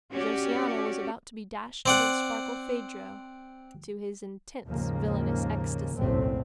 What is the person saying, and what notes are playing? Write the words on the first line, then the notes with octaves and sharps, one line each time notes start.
Josiana was about to be dashed against Barkilphedro, to his intense villainous ecstasy.
C#4 F#4 G4 D5
C4 D5 F#5
D#2 G#2 C#3 F3 A#3
F#1 B1 E2 A2 A3 C4